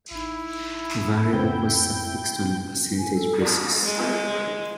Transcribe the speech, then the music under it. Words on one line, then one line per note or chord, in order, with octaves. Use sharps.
Variable costs are fixed on a percentage basis.
A1 D#4 E4
F2 C#3 B3 C4 G5
G#5
A4
D5
G#3